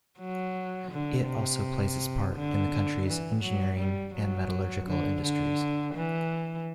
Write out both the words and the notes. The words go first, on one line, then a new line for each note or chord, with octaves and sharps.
It also plays its part in the country's engineering and metallurgical industries.
F#3
D3
C3
D3
E3
F#3
G3
F#3
D3
D3
E3